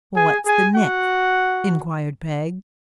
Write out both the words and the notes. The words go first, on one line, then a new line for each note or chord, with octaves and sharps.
'What's the next?' inquired Peg.
G#4 G#5
G#4 G#5
F#4 F#5